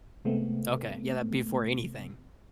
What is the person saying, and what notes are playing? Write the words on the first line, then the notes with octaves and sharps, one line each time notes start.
Okay. Yeah, that'd be for anything.
C3 G#3 A3 B3 C4